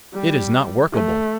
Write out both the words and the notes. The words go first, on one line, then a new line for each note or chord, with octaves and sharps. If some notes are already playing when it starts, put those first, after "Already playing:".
It is not workable.
G3
A3